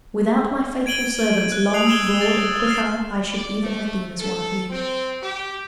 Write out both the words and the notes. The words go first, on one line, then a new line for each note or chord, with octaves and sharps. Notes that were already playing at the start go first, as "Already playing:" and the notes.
Without my faithful servants, Long, Broad, and Quickeye, I should even have been as one of you.'
G#6 D7 D#7 F#7 G7
F#6
D#6 F#6 C7 F7
E6 G#6 D7 E7 G7
A6
F6 A6 C7 E7
D5
A3
A4
C4
G4